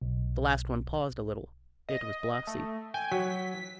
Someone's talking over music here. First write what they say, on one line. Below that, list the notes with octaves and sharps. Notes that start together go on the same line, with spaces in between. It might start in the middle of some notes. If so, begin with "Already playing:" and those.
The last one paused a little; it was Blasi.
B1
D#5
A3
G5 G#5
F#3 B6